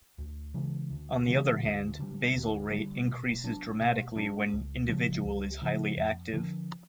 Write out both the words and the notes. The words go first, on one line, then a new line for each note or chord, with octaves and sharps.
On the other hand, basal rate increases dramatically when an individual is highly active.
D2
C#3 E3 G#3
D2
C#3 E3 G#3
D2
D3 G3
D2
D3 G3
B2
F#3 B3 D4
B2
F#3 B3 D4
C#2
C#3 F3 G#3
C#2
C#3 F3 G#3
F2
D3 F3